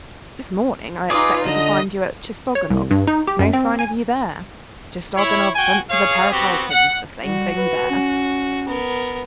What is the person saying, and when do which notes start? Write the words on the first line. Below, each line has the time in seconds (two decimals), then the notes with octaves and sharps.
This morning I expected to find you at Tchistoganov's--no sign of you there. Tchistoganov sent to the Perepalkins'--the same thing there.
1.10 D#4 F4 G#4 B4 D6
1.45 D3 D#5
2.55 C#5
2.70 C2
2.91 G2
3.07 D#4
3.27 G4
3.39 F#2
3.53 C4
3.79 G#5
5.17 E4 C#5
5.55 F#4 G5 G#5
5.90 G#4 C#5 F5
6.32 B3 C4 F#4 G4
6.70 F#5
7.24 G3 F#4
7.57 B4
7.90 C#4
8.67 B3 A#4